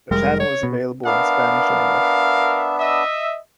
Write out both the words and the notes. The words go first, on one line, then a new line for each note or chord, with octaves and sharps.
The channel is available in Spanish and English.
F1 G3 G#3 A#4
C#5
B2
B3 D4 A#4 E5 F5
D#5 E5